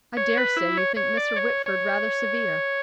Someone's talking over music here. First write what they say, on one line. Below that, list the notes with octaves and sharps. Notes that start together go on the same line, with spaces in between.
I dare say you think Mr. Whitford rather severe.
C#5
B4
E4
C#5
C#5
D5
C#5
C#5